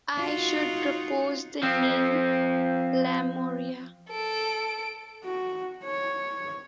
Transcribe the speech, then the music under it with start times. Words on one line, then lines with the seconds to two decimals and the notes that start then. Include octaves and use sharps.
I should propose the name Lemuria!
0.18 D#4 F4 F#4
1.63 F3 C4
4.10 A4 D7
5.24 F#4
5.84 C#5